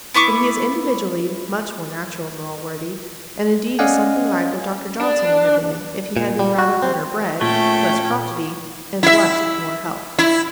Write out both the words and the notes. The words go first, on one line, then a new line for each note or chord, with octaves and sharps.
But he is individually much more natural than Allworthy, and indeed is something like what Dr Johnson would have been if he had been rather better bred, less crotchety, and blessed with more health.
B3 E4 C#6 D6
C#4 D5 D#5 F5 F#5 G#5
D4
A#2
G3
F#4
C4
A#2 A3 C#4 F4 A4 G5
E4 E5
E4